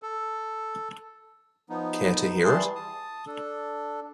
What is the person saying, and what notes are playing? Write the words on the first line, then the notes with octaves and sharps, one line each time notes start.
Care to hear it?
A4
F3 B3 D#4
E3 G3 G#4 A5 C6
A5 D#6
D4 A4